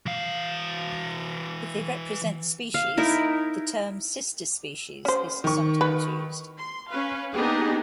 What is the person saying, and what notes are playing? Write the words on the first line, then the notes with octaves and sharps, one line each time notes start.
If they represent species, the term "sister species" is sometimes used.
E3 F5
F5
D#4 E4 A#4
C#4 C5
D#3 C#6
B4
C6
C#4 B4 F5
A#3 B3 D4 D#4 G4 G#4